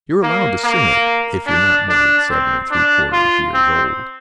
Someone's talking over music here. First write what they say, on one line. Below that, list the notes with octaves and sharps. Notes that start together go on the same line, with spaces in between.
You are allowed to sing it if you are not more than seven-and-three-quarters years old.
A#3
A#3
D4
D4
C4
D4
F4
C4